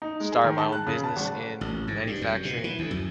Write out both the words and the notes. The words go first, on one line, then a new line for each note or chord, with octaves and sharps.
start my own business in manufacturing,
D#4
G#3
G#4
D#3
A5
F#6
C#3
A5
G#1
A1
G#2
G2
F#2
B2
E3
D2
F#2